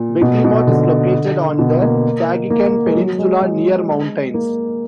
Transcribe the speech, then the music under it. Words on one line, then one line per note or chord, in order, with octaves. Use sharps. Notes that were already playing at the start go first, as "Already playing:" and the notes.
Beklimot is located on the Sagikan Peninsula, near mountains.
Already playing: A#2
B2
B2
D3
B2
A#3
A#3
G#3
F#3
G#3
G#3
A#3